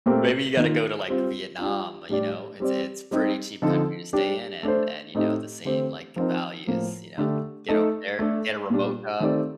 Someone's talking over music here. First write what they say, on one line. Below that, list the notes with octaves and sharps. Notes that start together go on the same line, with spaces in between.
Maybe you gotta go to, like, Vietnam, uh, you know, it's it's pretty cheap country to stay in and and, you know, the same, like, values, you know? Get over there, get a remote job.
A#2 A3 C4 G4 A#4
D#3 A#3 F4
G3 C4 F4
G3 D4 F4
A2 G3 D4 G4 D5
G3 C4 G4 D5
G3 C4 D#4 G4
D3 F3 C4 D#4 A4
G3 D4 G4
A3 D4 A4 C5
A2 A3 C4 D#4 G4
D3 A3 C4 G4 C5
F3 C4 D#4 A#4
A2 F3 A#3
D3 A3 D4 G4
A3 D#4 A4
A3 D4 A4
A#2 G3 D4
D#3 A3 C4 G4 D5